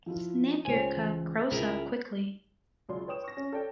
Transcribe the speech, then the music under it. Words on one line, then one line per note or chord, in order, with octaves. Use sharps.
Snegurka grows up quickly.
F3 E4 F4
C#2 C5 C#5 G#5
E3
C#2 E4 G#4 A#4
C#2 F#3 D5 C6
B4 C#5 G5 D#6 E7
C#6 A#6
C#4
A4 C#5 D5 G5